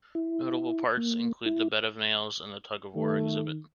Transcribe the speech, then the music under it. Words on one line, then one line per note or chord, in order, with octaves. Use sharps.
Notable parts include the bed of nails and the tug of war exhibit.
E4
A#3
E4
D#3 A3